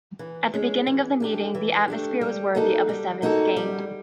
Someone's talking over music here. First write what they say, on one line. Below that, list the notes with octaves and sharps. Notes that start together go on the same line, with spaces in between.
At the beginning of the meeting the atmosphere was worthy of a seventh game.
E3
G#3 C#4
E3
A3 D4 G4
E3
A3 D4 G4
G3
A#3 D#4 F#4 A4
G3
A#3 D#4 F#4 A4
G3